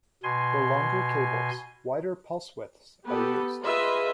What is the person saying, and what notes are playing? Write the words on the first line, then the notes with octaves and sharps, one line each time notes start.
For longer cables, wider pulse widths are used.
B2 G#5 C6
B3 G4 A4 B4
F4 G#4 B4 D#5 E5